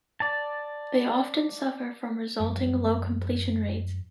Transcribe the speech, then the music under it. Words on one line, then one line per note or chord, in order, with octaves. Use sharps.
They often suffer from resulting low completion rates.
D5 A5
F#2 F3 G3 G#3